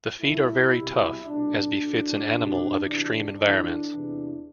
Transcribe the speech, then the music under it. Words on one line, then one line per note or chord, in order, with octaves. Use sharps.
The feet are very tough, as befits an animal of extreme environments.
C2 B2 A3 E4
C2 B2 G3
C2 B2 A3 D4
A2 F#3 A3
C2 B2 F#3 A3
D2 C3 E3 D4
A2 E3 A3 D4
E2 C3 E3